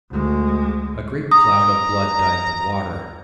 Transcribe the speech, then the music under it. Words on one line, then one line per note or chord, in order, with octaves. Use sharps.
A great cloud of blood dyed the water.
D2 G#3
A#5 D#6